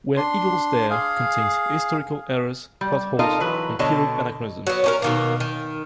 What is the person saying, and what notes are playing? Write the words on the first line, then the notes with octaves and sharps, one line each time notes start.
"Where Eagles Dare" contains historical errors, plot holes, and period anachronisms.
D4 C6
G#4 F5
G3
D#4 F4 A4 A#4 D#5 F5
E3 F#3 B4
B2 D3 A4 C#5 D#5 A5
F#3 B3
C#4 D4 A#4
B2 D#3 A#3
D#3